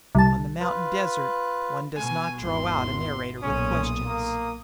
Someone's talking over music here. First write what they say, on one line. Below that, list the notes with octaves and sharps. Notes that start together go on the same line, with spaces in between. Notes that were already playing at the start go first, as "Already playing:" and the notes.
On the mountain desert one does not draw out a narrator with questions.
C2 A5
F4 B4
B2 G#5
G#1 E2 C6
B1 A#2 C#4 D#6
A#3